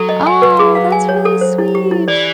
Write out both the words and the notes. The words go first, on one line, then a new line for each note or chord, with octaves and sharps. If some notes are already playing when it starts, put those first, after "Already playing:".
Aw, that's really sweet!
Already playing: F#3 A4
D#5
G#5
B4
G#4
F5
G#5
C#5
A4
C5
E4
G4
E4
E3 D5